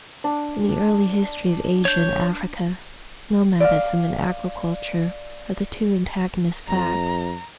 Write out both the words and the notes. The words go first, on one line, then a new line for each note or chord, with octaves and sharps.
In the early history of Asia and Africa, Nomadism and Agriculture are the two antagonist facts.
D4
C#5 G6
D5 F5
F2 A#5